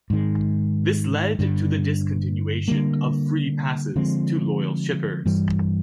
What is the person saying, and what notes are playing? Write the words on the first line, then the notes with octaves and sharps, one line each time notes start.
This led to the discontinuation of free passes to loyal shippers.
G#2 D#3 G#3
G2 D3 G3
D3 G3 A#3
D3 F3 G#3 C4
G2 E3 G3